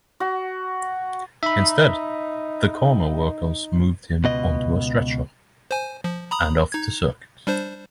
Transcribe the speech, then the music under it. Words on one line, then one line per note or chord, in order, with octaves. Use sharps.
Instead, the corner workers moved him onto a stretcher and off the circuit.
F#4
D#4 E5 B5
C#2 B2 D#5
C5 G#5
F3
A#5 B5 D#6
D#4 G#6
G3 D4 C5